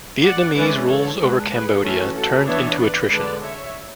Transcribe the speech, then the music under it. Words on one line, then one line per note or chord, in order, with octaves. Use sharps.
Vietnamese rules over Cambodia turned into attrition.
D5 F#5
E3 G#3 C#4 B4 D5
A4 C#5
G#3 D4 G#4 B4
G#4 B4
E3 A3 C#4 F#4 A4
F#4 A4
E3 B3 D4 C#5 E5
B4 D5
D3 G#3 D4 B4 D5
C#5 E5